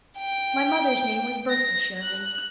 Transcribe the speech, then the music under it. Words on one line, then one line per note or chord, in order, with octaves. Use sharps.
My mother's name was Bertha Shirley.
G5
A#6
F#6